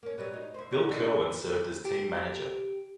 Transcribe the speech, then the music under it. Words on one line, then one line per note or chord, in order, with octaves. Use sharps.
Bill Kerwin served as team manager.
A#3 C#4
F#3 G3 B3
D#4
E4 C5
D#3 C#4 F#4
D3 D#4
G4